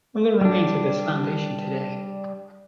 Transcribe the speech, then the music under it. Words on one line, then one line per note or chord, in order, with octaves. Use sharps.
Little remains of this foundation today.
G3 D4